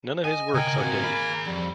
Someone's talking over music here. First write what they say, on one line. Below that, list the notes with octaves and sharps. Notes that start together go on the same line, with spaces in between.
None of his works are dated.
D#5 G#5
C#3 A#4 D#5 G5 G#5
A#3 C4 F#4 G#5
G#4 B5
F2 G3